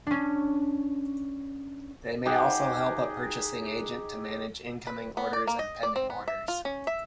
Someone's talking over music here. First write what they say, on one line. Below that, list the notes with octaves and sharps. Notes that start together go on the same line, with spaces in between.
They may also help a purchasing agent to manage incoming orders and pending orders.
C#4 D4
D#4 G4 G#4 F#5
B4
B3
D5
A#3
D#5
D5
C4
B3
E5
F4
C#4
E5